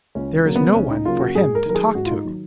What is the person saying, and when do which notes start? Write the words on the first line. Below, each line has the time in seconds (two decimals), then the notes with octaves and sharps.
"There is no one for him to talk to."
0.15 C#2 C#4
0.45 C#3 F#3 A#3
0.56 B3
0.75 C#2 C#4
0.90 D#4
1.05 C#3 F#3 A#3 F4
1.20 F#4
1.35 G#2 G#4
1.55 A#4
1.66 D#3 F#3 A#4
1.75 G#4
1.95 G#2 F#4
2.06 F4
2.10 D#4
2.25 D#3 F#3